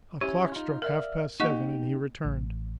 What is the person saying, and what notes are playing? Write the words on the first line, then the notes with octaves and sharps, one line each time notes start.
A clock struck half-past seven, and he returned.
C#4 E4 G4 C#5
D#4 F4
A#4 D5 E5 F5
A#3 D#4 G4 D#5 C#6
A1